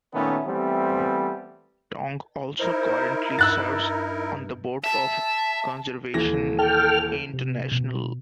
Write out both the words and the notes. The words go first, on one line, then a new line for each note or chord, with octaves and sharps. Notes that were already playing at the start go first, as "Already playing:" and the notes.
Tong also currently serves on the Board of Conservation International.
A#2 D#3 A3 B3 C#4 D#4
E3 G3 A3 B3 C4
D#4 E4 A#4 C5
G2 E6 F#6 A6
E5 A5
D#1 E3 A#6
A4 G5 F6
C3
B2